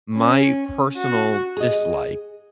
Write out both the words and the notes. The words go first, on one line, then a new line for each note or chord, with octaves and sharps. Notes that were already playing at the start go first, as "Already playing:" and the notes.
My personal dislike
C#4
F#4
G#4 D#5